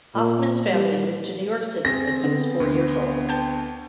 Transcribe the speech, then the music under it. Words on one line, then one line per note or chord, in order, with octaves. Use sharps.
Hoffmann's family moved to New York City when he was four years old.
A#2
G3
C4 G#4 A#6
D3 B3
D2
G5 A5 G6